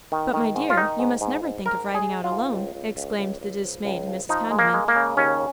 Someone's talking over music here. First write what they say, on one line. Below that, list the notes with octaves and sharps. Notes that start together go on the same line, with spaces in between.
"But, my dear, you must never think of riding out alone," exclaimed the dismayed Mrs. Condiment.
D#3
D#3
G#2
F4
D#3 D#4
G#2
G#2
G#2
G#2 A#4
G#3
G#4
G#3
F4
G#2
C#2
C#2
C#2
C#2
C#2
F3
C#2
F3
F3 D#4
G#3
A#3
G#3
A#3
C#3
D#2 C#4